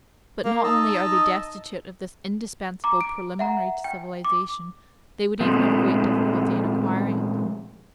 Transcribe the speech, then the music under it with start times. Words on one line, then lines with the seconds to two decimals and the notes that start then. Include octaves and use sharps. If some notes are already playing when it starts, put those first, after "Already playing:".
But not only are they destitute of this indispensable preliminary to civilization, they would even have great difficulty in acquiring it.
0.45 A#3
0.64 D#4 D#5 A5 E6
2.84 A#5 D6
3.01 D7
3.39 E5 F#5 A#5
3.84 G5
4.25 D6
5.40 A#2 F3 G#3 A3 C4